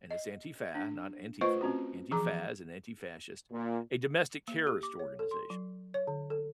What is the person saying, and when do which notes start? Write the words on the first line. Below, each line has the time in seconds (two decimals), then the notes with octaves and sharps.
and it's Antifa, not Antifa, Antifa as an anti-fascist, a domestic terrorist organization.
0.11 D#5
0.75 D4
1.41 A3 F4 B4 C5 D#5 C#6
1.61 C4 C#4 F#4
2.11 E3 F3 G#4 A#5 D6
3.52 A#2
4.48 A#3
4.67 G4
4.83 D6
4.99 C#5
5.19 A4
5.31 C6
5.50 F#3
5.94 C#5
6.07 D3
6.30 A4